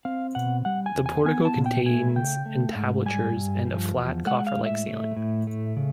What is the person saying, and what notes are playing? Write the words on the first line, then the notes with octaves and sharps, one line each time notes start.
The portico contains entablatures and a flat, coffer-like ceiling.
C4 F5
B2 F#5
G3 F#5
G#5
E2
G#5
B3 G#5
A5
A#2
G5
A3 G#5
C#3 G5
A3
G#2
G3 G#5
G2
F3
E2
G#3 F#5
F#5
F5
A2
E5
A3
A2
A3
C#3